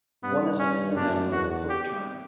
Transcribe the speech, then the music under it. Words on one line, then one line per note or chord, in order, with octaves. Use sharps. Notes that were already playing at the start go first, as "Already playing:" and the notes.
One is a synonym of the Hook Turn.
G2 B3
C#4
F#2 D4
E2 F#4
G4